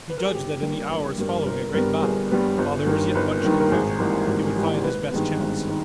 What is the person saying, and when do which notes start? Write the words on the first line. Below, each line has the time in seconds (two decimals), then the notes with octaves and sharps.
He judged that in the hours following a great battle, while there was yet much confusion, he would find his best chance.
0.10 B4
0.18 A#4
0.26 G#4
0.34 G1 G4
0.62 G2 G3 A#3
0.89 G1
1.18 G2 G3 A#3
1.46 G1 A#4
1.74 G2 G3 B3 A#4
2.02 G1 G#4
2.31 G2 G3 B3
2.58 G1
2.86 G2 D#3 A#3
3.15 G1 B4
3.43 G2 D#3 A#3
3.60 A#4
3.71 G#1 G#4
3.99 G#2 E3 G3 A#3
4.27 G#1
4.56 G#2 E3 G3 A#3
4.83 G#1 B4
5.11 G2 D#3 G#3 B3
5.40 G#1
5.69 D#3